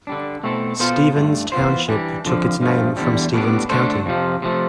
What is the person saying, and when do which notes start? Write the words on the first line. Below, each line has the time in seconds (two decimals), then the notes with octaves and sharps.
Stevens Township took its name from Stevens County.
0.07 D3 G3 D4
0.43 B2 A3 C4 E4 A4
0.79 B2 B3 F4 A4 C5
1.16 G2 D3 A3
1.52 E3 B3 F4 C5
1.88 E3 G3 D4
2.25 F2 D3 F3
2.61 G2 F3 A3
2.97 E2 D3 G3
3.34 A2 G3 B3 D4
3.70 D3 A3 D4 A4 C5
4.06 F2 C3 F3
4.42 C3 F3 A3